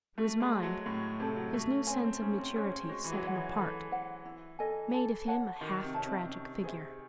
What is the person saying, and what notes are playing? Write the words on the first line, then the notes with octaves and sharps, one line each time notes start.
To his mind his new sense of maturity set him apart, made of him a half-tragic figure.
A3 F#4
G#3
C5 E5 A5
F#3
A2 F#4
C3 A4 C#5
F#3
A3 F#4
C#4
C4 C#5 G#5
C4
C#4 D#4
C4
C#4 G#4 C#5
C4
G#3 F#4
E3
F#3
C#5 F#5
E3
E3 A4
C5 F#5
E4
A4 D#5 G#5
A4
C#5 F#5 A5
D#3 F#4
C3
C#5 E5 A5
C3
C#4
G#4 C5 E5